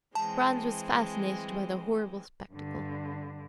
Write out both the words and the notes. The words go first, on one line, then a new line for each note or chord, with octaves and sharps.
Franz was fascinated by the horrible spectacle.
E3 G#3 C4 A5
G2 D3